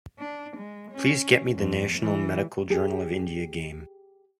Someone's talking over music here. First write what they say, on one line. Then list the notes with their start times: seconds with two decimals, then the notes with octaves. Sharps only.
Please get me The National Medical Journal of India game.
0.19 D4
0.57 G#3
0.91 C#4
1.55 F2
1.99 E3
2.70 G4 G#4